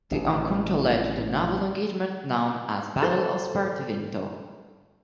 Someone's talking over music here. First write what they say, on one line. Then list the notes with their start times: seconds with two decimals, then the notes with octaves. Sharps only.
The encounter led to the naval engagement known as Battle of Spartivento.
0.11 A1 B2
3.03 A4 C5